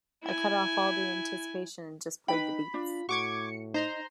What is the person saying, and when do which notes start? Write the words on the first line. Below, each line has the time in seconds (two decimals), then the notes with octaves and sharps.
I cut off all the anticipation and just played the beats.
0.23 E4 G#5
2.28 D#4 B4 G5 B5
2.74 D4 F4
3.09 A2 F#4 C#6 D6 G#6 C#7
3.74 D#4 C5 A#5 C6